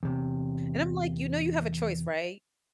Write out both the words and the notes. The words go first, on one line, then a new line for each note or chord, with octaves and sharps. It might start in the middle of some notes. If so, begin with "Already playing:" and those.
and I'm, like, "You know you have a choice, right?
E2 C3